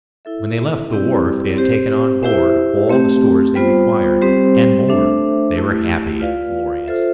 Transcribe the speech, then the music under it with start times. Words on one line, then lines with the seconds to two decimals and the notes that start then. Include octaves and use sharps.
When they left the wharf they had taken on board all the stores they required, and more; they were happy and glorious.
0.25 E4 A4 E5
0.90 G3 C4 E4 G4 D5
1.57 C4 G4 C5
2.23 E4 G4 C5 E5
2.89 A3 C4 G4
3.55 G3 B3 F4 C5
4.22 G3 C4 G4 C5
4.88 A3 D4 A4 C5 E5
5.54 A3 E4 G4
6.20 F4 B4 D5 F5
6.86 F4 A4 C5 E5